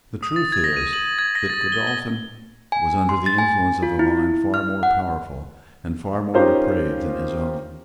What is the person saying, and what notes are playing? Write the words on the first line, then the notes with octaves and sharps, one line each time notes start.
The truth is that Godolphin was under the influence of a mind far more powerful and far more depraved than his own.
D#6
A6
G#6
A#6
D#7
F#7
G#6
A#6
A6
G7
G7
G#5
C6
A6
G#5
F4
E4
F6
F#5
C#4 D#4 F4 G4 A#4 C5